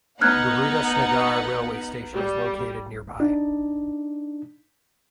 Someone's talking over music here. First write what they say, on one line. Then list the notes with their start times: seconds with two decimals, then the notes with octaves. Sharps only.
Gurudas Nagar railway station is located nearby.
0.21 B3 D#4 F#5 F6 F#6 G#6
2.14 G3
3.20 D4 D#4